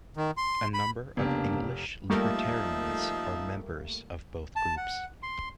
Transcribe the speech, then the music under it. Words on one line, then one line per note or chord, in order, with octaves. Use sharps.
A number of English libertarians are members of both groups.
D#3
C6
B5
F1 C#3 A#3 B3 D4 G4 A#4
F3 G3 A3 A#3 D#4 E5
A5
F#5
C6